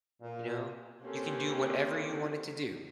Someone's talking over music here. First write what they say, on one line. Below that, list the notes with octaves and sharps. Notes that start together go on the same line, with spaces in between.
you know? You can do whatever you wanted to do.
A#2
A#3 C4 C#4 G4 A4 B4